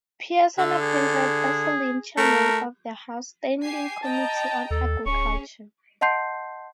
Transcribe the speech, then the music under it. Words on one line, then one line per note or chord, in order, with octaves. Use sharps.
Pearson appointed Asselin chairman of the House Standing Committee on Agriculture.
D3 E5
G#4
A3 A#4
G4 G#5 C7
D#5 G5 A5 A#5
D#2 A4
D1 C#4 G#4 C#6
D#5 F#5 A5 C6 G6 C7